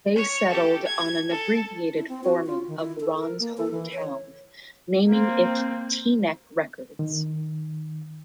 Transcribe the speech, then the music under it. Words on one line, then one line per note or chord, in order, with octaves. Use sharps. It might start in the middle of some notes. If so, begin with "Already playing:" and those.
They settled on an abbreviated forming of Ron's hometown, naming it T-Neck Records.
C#5
G4 A4
G#6
A4
E4
C4
F#4
F4
D#3
E4
A4
A#4
A#3
A4
E3
C#5
A#3 C4
D#3